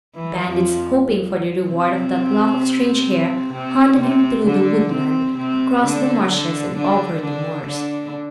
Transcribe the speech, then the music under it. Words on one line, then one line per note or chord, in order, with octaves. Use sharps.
Bandits, hoping for the reward of that lock of strange hair, hunted him through the woodland, across the marshes, and over the moors.
E3
F2 F3
C3 C4
C3 C4
C3 C4
D3 D4
C3 C4
C3 C4
D3 D4
D3 D4
D3 D4
D3 D4
D3 D4